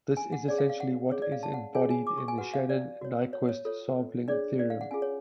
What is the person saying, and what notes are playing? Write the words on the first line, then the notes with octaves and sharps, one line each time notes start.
This is essentially what is embodied in the Shannon-Nyquist sampling theorem.
G#5
F#5
C#4 G#4 C#5 D5
F5
F5
F#5
C#4 G#4 C#5
D5
F5
A5
F#5
F4 G#4 C#5 G#5
G#5
D6
C#6
G#5
F#4 B4 F#5
F5
D5
F#4 C#5
C#5
C#5
F4 A4 C#5
D4 G#4 C#5 D5
D5
F5
F#5
C#4 F4 G#4 G#5
C#5